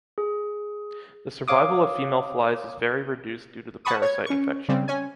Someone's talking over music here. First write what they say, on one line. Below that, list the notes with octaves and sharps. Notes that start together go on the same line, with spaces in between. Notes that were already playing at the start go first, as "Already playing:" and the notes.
The survival of female flies is very reduced due to the parasite infection.
G#4
C#5 F5 D6 D#6
F#5 A5 B5 C#6 D#6
C#5 G#6
C#4 C#6
C#3 G3 C4
C#4 G#5